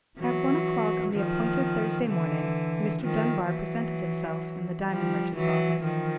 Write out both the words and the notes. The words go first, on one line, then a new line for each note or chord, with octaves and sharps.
At one o'clock on the appointed Thursday morning, Mr. Dunbar presented himself in the diamond-merchant's office.
E3 F#3
D#3 F3
D3 E3
D#3 F3
E3 F#3
F3 G3
E3 F#3
D#3 F3